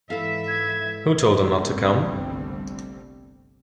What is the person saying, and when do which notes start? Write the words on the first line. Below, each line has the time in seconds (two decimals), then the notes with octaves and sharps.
Who told him not to come?
0.10 G#2 E3 E4 A4 E5 F5
0.48 G#6
1.44 G1 C2 D3 G3 A3 C4